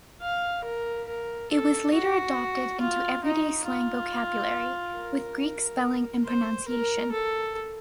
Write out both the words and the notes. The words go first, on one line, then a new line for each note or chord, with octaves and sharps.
It was later adopted into everyday slang vocabulary, with Greek spelling and pronunciation.
F5
A#4
A#4
A4
F#4
F4
D#4
F4
A#4
C5
A#4
A4